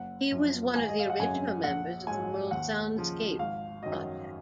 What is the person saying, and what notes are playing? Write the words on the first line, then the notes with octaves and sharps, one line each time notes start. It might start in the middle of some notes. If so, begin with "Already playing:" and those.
He was one of the original members of the World Soundscape Project.
Already playing: F#1 F#5
F#2 F3
G#1 G#5
D#5
F5
F#5
F#2 C#3 F#3 G#5
A#1 F#5
G#2 F#3 G#5
D#2 F#5
C#3 F3
G#1 F5
F#2 D#3 F#3 D#5